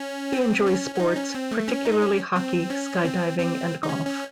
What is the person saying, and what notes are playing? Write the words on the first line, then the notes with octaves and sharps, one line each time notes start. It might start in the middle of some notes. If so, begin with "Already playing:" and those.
He enjoys sports, particularly hockey, sky-diving, and golf.
Already playing: C#4
C4
C#4
C#4
D#4
C#4
C4
A3
C#4
D#4
C#4
C4
C#4
C4
C4
D#4
C#4
C#4